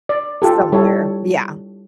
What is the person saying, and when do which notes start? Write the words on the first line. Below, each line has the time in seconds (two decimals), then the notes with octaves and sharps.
somewhere yeah,
0.09 D5
0.42 F4 G4 A4
0.72 G3 E4 A4 C#5